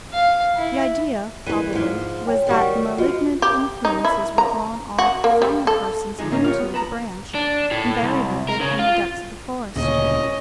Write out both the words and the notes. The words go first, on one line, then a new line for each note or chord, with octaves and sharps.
The idea probably was that the malignant influences were drawn off from the persons into the branch and buried with it in the depths of the forest.
F5
E4
E3 B4 D#7
G#2 F3
C#5 G5 G#5
D#3 G3 F#4
F3 F4 F#4 D#5
G4
D#4
E4
A#5
F#4
A#3
G3
A4
D3 F3 G#3 D#4 G#4
A2 D3 A#3 C#4 D#4
F4 G4 C#5
B3
B4 A5 A#5
D4
A2
C2
A#4
C#3
F4
D2 A#2 C#3 C#4 D#5